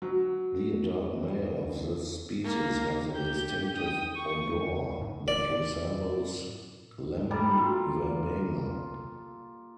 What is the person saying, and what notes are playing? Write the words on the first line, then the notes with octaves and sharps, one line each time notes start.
The adult male of this species has a distinctive odour that resembles lemon verbena.
F#3
A#3
G4 G6
G5 D#6
C#6
A2
D5
G3 A3 A#3 A4
F4 F#4